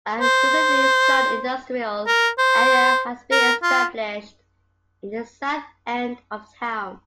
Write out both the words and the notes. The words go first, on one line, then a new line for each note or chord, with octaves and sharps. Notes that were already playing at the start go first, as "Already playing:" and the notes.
A recently zoned industrial area has been established in the south end of town.
C5
A#4
C5
A#4
F4